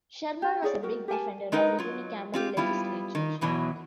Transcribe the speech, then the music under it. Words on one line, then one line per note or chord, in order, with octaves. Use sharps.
Sherman was a big defender of a unicameral legislature.
G4
E4 G#4 C#5 D5
F#4 A#4
G4 A#4 G#5 A5
G#3 D#4 A#4 B4
F#3 F4
C4 F4 G4
G3 B3 E4 F4
D#3
E2 B2 E3 F#3